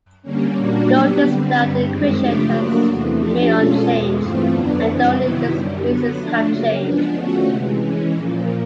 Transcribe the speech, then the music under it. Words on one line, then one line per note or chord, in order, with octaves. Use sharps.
Notice that the equation has remained unchanged and only the spaces have changed.
D3 G3 A#3 C#4
A#2 G3 A#3 D4 F#4
F#3 B3 D4 G4
D3 G3 C4
G2 D3 G3
F#2 D#3 G#3 C4
C#3 F3 A3 D4 G4
F#3 A#3 D4 F#4
E2 C3 E3 A3
F3 A3 D4 G4
B2 G#3 C#4 F4 A4
E2 B2 G#3
G2 E3 A3 C4 F4
F2 D3 F#3 B3 D4
F#2 C#3 E3 G3 C4
C3 D#3 F#3 B3 E4
F#2 D3 G3
D3 F#3 B3
F3 A3 D4
C#3 F#3 A#3
F3 G#3 B3 D4
D3 F3 A3 C#4 F#4
C3 E3 G#3
E3 G#3 C#4
A#2 F3 A#3